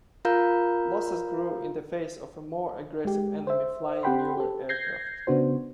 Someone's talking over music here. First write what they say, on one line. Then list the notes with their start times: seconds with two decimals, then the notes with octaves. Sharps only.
Losses grew in the face of a more aggressive enemy flying newer aircraft.
0.25 F4 A#4 F5 A#5 G6
3.05 G#3 G4
3.47 C5 E5
4.03 C4 G4 F#5 G5 B5 C6
4.37 G4 A4
4.69 G6 G#6 A#6 C7
5.27 C#3 B3 D4 F#4 C5